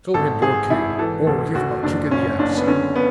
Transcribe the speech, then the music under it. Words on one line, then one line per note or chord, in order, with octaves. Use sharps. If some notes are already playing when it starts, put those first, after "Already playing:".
Show him your cane or give him a kick in the ass.
G#1 A4
G#1 G#4
G#1 E4
E3 A4
D2 A4
D2 F#4
F#1 D4
F#1 C#4
F#1 D4
B3
D3 C#4
B3